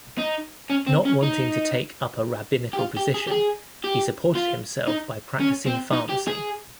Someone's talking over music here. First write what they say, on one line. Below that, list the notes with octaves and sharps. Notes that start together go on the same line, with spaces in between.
Not wanting to take up a rabbinical position, he supported himself by practicing pharmacy.
D#4
C#4
C4
C#4
D#4
G4
F4
G4
G#4
G4
G#4
G4
F4
D#4
C#4
C4
D#4
G4
G#4